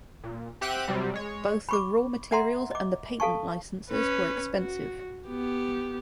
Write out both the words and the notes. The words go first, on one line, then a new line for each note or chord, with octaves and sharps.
Both the raw materials and the patent licenses were expensive.
A#2
C4 G4 E5 F#5 F#6 D#7
C3 F#3 G3 C4
G#3 C#5
B5 C#6 D6
D5 E5 F#5 A#5 C6
D#5 D6
A4 F5 A5 C#6
C#4 B4
F#4
B3 G4